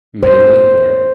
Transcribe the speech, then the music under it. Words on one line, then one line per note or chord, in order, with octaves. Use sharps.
mainly or
C5